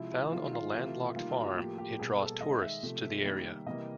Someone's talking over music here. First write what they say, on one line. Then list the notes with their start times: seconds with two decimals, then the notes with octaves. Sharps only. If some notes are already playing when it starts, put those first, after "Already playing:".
Found on a landlocked farm, it draws tourists to the area.
Already playing: C3 F3 G#3 E4
0.11 E4
0.32 D#3 F#3 A3 F4
0.53 F4
0.74 C3 E3 A3 F4
1.15 D#3 G3 A#3 F4
1.29 G4
1.36 F#4
1.57 A2 F3 A#3 G4
1.78 G4
1.99 B2 G3 A#3 G#4
2.20 A4
2.40 D#3 G#3 D#5
2.62 E5
2.83 C3 F3 A3
3.25 D#3 G3 A#3
3.66 C3 E3 G3 A#3 D#5